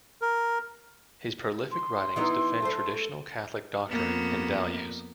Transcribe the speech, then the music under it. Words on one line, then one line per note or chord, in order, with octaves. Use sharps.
His prolific writings defend traditional Catholic doctrine and values.
A#4
C6
E3 B3 D#4
A3 C5
F2 A#3 B3